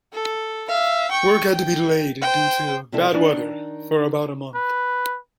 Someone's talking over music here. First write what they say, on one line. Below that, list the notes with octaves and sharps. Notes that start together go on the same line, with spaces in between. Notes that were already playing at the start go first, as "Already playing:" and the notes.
Work had to be delayed due to bad weather for about a month.
A4
E5 F5
G5 C#6
G5
C5 G5
C3 F3 G3 E4 A4
D#3 D4
B4